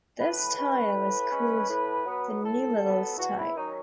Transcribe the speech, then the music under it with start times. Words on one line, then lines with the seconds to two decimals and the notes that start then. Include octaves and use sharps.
This style is called the Nummedals-type.
0.19 A2 B4
0.56 G#3 C#4 B4
0.94 A2
1.31 G#3 C#4
1.69 A2
2.06 F#3 B3
2.43 A2 A4
2.80 F#3 B3
3.18 E2 F#4
3.38 E4
3.56 D#3 F#3 C#4 D#4